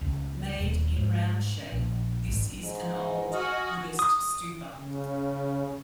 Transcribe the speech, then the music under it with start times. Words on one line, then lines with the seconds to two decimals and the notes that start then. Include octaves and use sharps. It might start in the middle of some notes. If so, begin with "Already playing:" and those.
Made in round shape, this is an old Buddhist Stupa.
0.01 C#2
0.57 D#1
0.96 G#2
1.72 A#1
2.28 G#1
2.63 G#2 D#5
3.34 F#4 F#5 G#5 D#6 F6
3.99 D#6
4.75 C#3